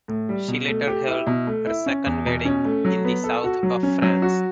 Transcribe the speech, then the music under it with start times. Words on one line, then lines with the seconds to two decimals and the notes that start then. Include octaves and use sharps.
She later held her second wedding in the South of France.
0.08 A2
0.29 G3
0.48 B2
0.68 A3
0.88 G4
1.07 E4
1.27 B2
1.47 A3
1.67 E4
1.86 C#4
2.06 E2
2.26 B2
2.45 C#4
2.65 A3
2.85 F#3
3.04 B3
3.24 A4
3.44 F#4
3.63 F#3
3.83 C#4
4.02 F#3
4.22 F#4